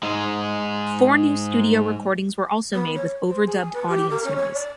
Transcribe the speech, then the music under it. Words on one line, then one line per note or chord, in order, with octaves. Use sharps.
Four new studio recordings were also made with overdubbed audience noise.
G#2 G#3
B3
C#5
C5
G#4
G#5
B4
G4
A#4
C#4
C#5
D5